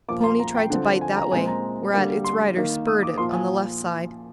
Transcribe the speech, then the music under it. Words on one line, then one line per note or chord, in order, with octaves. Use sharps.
The pony tried to bite that way, whereat its rider spurred it on the left side.
A#2 F3 A#3 D6
C6
A#5
G5
D3 F3 C4
G#5
A#5
A#2 G#3 C4 G#5
A#5
D3 G3 A#3
C6
D#3 A#3
D#6
D6
A#2 F3 A#3 C6
G#5